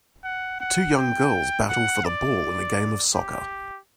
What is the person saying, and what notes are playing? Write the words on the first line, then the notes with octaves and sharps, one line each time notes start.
Two young girls battle for the ball in a game of soccer.
F#5
F#5
G5
F#5
D5
G4